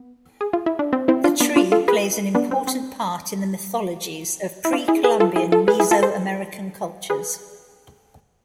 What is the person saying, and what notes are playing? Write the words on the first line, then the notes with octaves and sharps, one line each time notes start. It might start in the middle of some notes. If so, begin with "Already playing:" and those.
The tree plays an important part in the mythologies of pre-Columbian Mesoamerican cultures.
Already playing: B3
G#4
F4
E4
D4
C4
C4 E4
D4 F4
B3 D4
D4 F4
F4 A4
G#4 B4
B3 D4
C4
C4
E4
D4 F4
E4 G#4
G#4 B4
F4 A4
E4 G#4
F4 A4
G#4 B4
E4 G#4
F4 A4
A4 C5
G#4 B4